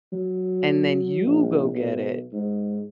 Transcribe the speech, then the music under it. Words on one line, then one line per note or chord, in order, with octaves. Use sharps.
and then you go get it,
F#3
A#1
B1
G#2